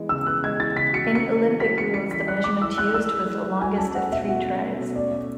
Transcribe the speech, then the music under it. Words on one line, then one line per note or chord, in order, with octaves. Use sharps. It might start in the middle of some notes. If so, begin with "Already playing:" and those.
In Olympic rules, the measurement used was the longest of three tries.
Already playing: E3 G#3 B3
C#3 E6
B3 F#6
G#3 G#6
E3 A6
C#3 B6
F#4 C#7
C#4 C#7
G#3
E3
F#4 B6
C#4 C#7
G#3 C#7
E3 B6
D5 F#6
G#4 D6
E4 E6
A3 F#6
D5 E6
G#4
E4
A3
F#4 G#5
C#4 A5
A3 F#5
B2 E5
F#4 F#5
C#4
A3
B2
C#4 D5
A3